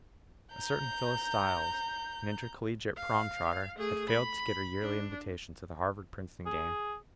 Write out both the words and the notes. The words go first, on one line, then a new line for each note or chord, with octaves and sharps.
A certain Phyllis Styles, an intercollegiate prom-trotter, had failed to get her yearly invitation to the Harvard-Princeton game.
A#5 G6
F5
A3 G#4
B5
D4
G#4